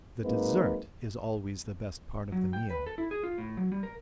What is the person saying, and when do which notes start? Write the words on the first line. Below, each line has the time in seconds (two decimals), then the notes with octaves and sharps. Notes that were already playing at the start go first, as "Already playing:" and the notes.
The dessert is always the best part of the meal.
0.24 F#3 G#3 A#3 C4 D#4 B4
2.32 F#3
2.53 G5
2.70 B4
2.87 A4
2.98 E4
3.11 G#4
3.23 F4
3.38 A2
3.57 F#3
3.72 G3
3.83 A#4